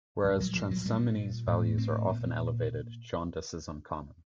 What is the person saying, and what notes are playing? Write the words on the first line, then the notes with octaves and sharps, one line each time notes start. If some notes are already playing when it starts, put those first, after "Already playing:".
Whereas transaminase values are often elevated, jaundice is uncommon.
A#2 G3
F#3
F3
F#3
A#2 G3
A2
C4
A#2